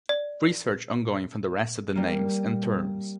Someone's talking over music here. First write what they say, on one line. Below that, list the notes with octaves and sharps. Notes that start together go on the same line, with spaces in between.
Research ongoing for the rest of the names and terms.
D5
G3 A#3